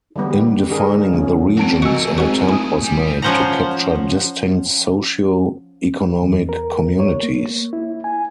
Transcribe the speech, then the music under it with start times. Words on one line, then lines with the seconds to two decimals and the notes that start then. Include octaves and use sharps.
In defining the regions, an attempt was made to capture distinct socio-economic communities.
0.16 D3 E3 G3 B3
0.31 G4
0.70 D4 G#4 A#4
1.12 C#3 F3 A3 B3 C#4
1.57 F3 C4 F#4 A#4 A5 D7
1.82 A3 F#4 A#4 D#5 G#5 E6 C#7
2.18 G#3 C4 D#4 F#4
2.49 E4 G#5 D#6
2.83 G3
3.22 F3 C#4 C5 F#5 A#5
6.22 E2
6.49 A#4
7.00 C#5
7.23 A#3
7.73 E4
8.04 G#5